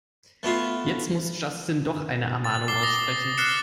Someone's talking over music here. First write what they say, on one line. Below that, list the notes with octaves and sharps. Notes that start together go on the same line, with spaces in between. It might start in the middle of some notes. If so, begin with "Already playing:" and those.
Jetzt muss Justin doch eine Ermahnung aussprechen.
A3 B3 E4 F4
A6
D6 C7 G7
D#6 A#6 G7
F6 F#6 A6 C7 C#7 E7